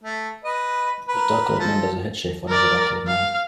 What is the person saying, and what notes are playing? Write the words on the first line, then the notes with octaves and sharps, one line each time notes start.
A dark colored man does a head shave for another dark colored man.
A3
B4 D#5
A#4 B4
F3 A4
A#4 D5
F5